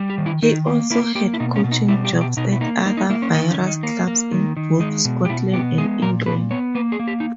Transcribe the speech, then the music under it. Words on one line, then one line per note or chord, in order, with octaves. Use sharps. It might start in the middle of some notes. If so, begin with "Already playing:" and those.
He also had coaching jobs at other various clubs in both Scotland and England.
Already playing: G3
G4
D#3
E4
D#3 D#4
A#3
A#3 E4
A#3 G4
E4
B2 D#4
C#4
B2
D#4
G3 E4
G4
B2
G4
B2 D#4
E4
A#3 D#4
A#3 D#4
D#4
A#3 E4
C#4
D#3 D#4
C#4
D#3
D#4
A#3
A#3
D#3
D#3
G#3 D#4
B2
G4
B2 E4
B3 G4
G#3 G#4
A#2 A#4
A#2 B4
B3 C#5
A#3 B4
G#4
A#3
G4
D#4